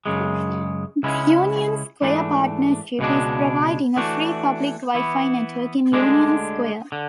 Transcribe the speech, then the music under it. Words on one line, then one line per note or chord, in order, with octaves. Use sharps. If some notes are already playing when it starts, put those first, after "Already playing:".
The Union Square Partnership is providing a free public Wi-Fi network in Union Square.
F#2 C#3 G#3
C#2 C#3 G#3 C#4 E4
G#2 E3 A3 D4
C#2 B2 G#3 D4
E3 A3 D4 F#4
E3 B3 E4
D2 D3 G#3 D4
D3